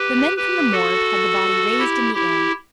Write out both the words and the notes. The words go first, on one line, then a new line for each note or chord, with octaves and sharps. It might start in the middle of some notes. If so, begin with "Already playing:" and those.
The men from the morgue had the body raised in the air.
Already playing: G4 B4
G4 B4
F#4 A4
E4 G4
E4 G4